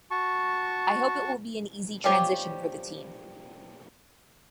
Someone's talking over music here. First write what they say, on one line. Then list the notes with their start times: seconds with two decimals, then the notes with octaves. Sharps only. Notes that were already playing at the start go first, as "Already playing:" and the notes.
I hope it will be an easy transition for the team.
0.11 F#4 A5 C#6
2.04 F3 G3 F4 G4 C#5